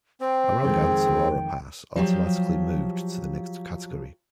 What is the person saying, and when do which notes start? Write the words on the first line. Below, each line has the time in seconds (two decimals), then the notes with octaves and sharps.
A wrong answer or a pass automatically moved to the next category.
0.21 C4 C5 G5
0.62 F2 D#3 G#3 G#4
1.96 F3 F#3 G4